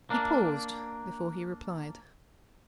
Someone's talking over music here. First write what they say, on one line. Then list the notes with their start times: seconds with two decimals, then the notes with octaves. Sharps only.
He paused before he replied.
0.10 A#3 D4